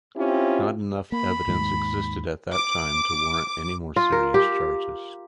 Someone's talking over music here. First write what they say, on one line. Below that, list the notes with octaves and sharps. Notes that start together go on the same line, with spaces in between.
Not enough evidence existed at that time to warrant any more serious charges.
C4 C#4 E4 F4 G4
A#3 B5
D#2 G#2
D6
F4
A#4
G4